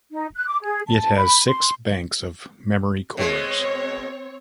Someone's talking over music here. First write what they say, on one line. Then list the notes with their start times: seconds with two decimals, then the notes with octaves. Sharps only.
It has six banks of memory cores.
0.12 D#4
0.35 F#6
0.47 D6
0.63 G#4
0.87 A5
1.17 B5
1.46 C6
3.17 B2 G#3 C4 C#5